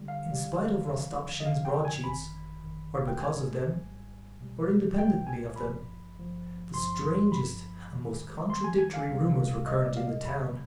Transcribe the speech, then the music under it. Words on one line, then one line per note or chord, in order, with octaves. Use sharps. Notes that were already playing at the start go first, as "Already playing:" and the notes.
In spite of Rostopchin's broadsheets, or because of them or independently of them, the strangest and most contradictory rumors were current in the town.
Already playing: D3 G3
F5
D2 D3 G3
F2 D3 F3
D#5
F2 D3 F3 F5
G5
G#5
G1 F2 D#3 B5
G1 F2 D#3
F5
G5
G#1 G#2 G3 G#5
G#1 G#2 G3
B1 B2 G3
B1 B2 G3 G5
G#5
G#1 G2 F3 B5
G#1 G2 F3
G1 G2 F3 C6
G1 G2 F3 B5
F2 D#3 G3
F2 D#3 G3 C6
G#5
G#5
F5
C2 C3 G3
C2 C3 G3 D#5
D5
F5
D#5
G1 F2 D3 G3 B5